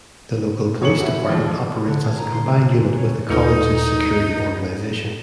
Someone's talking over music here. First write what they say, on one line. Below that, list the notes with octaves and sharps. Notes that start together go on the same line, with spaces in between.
The local police department operates as a combined unit with the college's security organization.
D#1 C#5 C#7 F#7
C#4 E4 F#4
D#2 F3 G#3 D4
D3
G#4
A#5
C6
G#3
G#3
E2
C#5
D#2 A3 D#4 F4 A4 B4